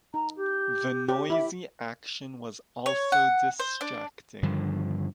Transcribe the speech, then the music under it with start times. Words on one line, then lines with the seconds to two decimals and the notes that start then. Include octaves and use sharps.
The noisy action was also distracting.
0.14 D#4 A#5
0.36 G4
1.08 G4 C#5
1.30 E4 E5 B5 D6
2.86 C#5
3.12 F#5
3.60 C5
3.81 D4
4.43 G2 D3 D#3 F3